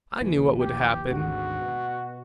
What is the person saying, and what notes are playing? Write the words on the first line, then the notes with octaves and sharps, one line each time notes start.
I knew what would happen.
A#1 D#2 E3
G4
G#1 D2 G#2 F#4
B2